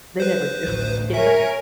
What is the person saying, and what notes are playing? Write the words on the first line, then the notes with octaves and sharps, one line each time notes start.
They never do, yeah.
B4 C5
A1 D2
A#4 C#5 E5 G#5